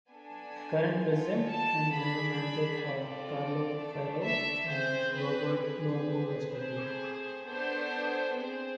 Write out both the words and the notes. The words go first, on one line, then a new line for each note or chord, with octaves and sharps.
Current president and general manager are Carlo Ferro and Roberto Luongo respectively.
B3 D4 A4 G#5
B3 F4 A4
A5
D4 G#4 B5
C4 F4 A4 D5
A3 D4 A4
E5
C4 G#4 C5
B4
C4 G#4 B4
A3 C4 G#4 C5
B3 D4 A4 C5
C4 G#4 C5